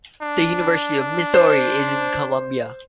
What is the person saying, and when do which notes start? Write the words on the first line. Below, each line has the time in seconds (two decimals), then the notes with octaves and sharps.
The University of Missouri is in Columbia.
0.21 D4
1.34 C5